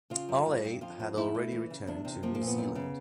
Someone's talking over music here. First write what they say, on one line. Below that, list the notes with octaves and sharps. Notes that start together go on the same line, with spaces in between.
All eight had already returned to New Zealand.
C#3 F4
F#2
G2
G2
F2 F4
F2
A3 E4
A3
E3
C#3
E2 D4
C3
F3 A#3
A#3
A#2
B3
F#2
C#3